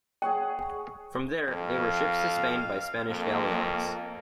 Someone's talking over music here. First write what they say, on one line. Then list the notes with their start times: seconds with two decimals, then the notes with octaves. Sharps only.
From there, they were shipped to Spain by Spanish galleons.
0.22 G#4 C#5 F#5 G5
1.48 F2 F5
3.10 F2 A#3